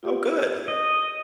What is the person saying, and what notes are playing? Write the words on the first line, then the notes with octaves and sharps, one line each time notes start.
Oh, good.
F4 G4
D#5